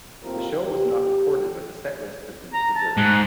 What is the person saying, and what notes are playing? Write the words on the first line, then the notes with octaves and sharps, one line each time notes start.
The show was not recorded but the set list has been preserved.
D#2 A2 F3 C4 F4 A#4
G4
A#5
A5
G#2 F#5